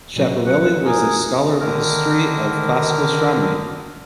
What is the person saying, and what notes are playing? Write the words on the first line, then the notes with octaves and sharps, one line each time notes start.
Schiaparelli was a scholar of the history of classical astronomy.
A#2 F#3 F#4
F#2 C#4 F#5 C#7
F3 E4 G#4 A#4
D3 D#3 A#4